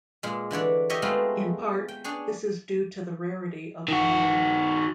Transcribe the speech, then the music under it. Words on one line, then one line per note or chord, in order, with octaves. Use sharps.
In part, this is due to the rarity of fire.
A#2 G#3
D3 E3 C#5 D5
G4 C#5 D#5 E5
G#3 A3 B3 C4 F4
G5
D4 G#4 C#5
D#3 F#4